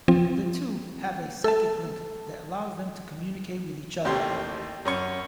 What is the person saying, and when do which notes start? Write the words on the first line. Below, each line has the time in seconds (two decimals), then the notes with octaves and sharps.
The two have a psychic link that allows them to communicate with each other.
0.08 F3 C4 F4
1.44 A4 A5
4.05 A1 D#2 A2 G4 C6
4.85 F#2 C#4 C#6